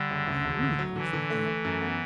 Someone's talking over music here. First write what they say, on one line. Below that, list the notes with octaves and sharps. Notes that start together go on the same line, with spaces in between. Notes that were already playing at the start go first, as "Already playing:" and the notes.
"May we offer, then?"
Already playing: D3 G3
F#1
D2
E1
D2
F#3
D3 E3
D3
A3
A3
F#2
B3